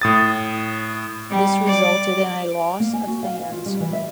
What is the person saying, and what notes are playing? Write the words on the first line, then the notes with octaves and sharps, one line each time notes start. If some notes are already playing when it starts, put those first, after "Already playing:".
This resulted in a loss of fans.
A2 D#6 A6
G3
D5
A#3
G#5
F#4
F5
F5
F4
G3
E3
E5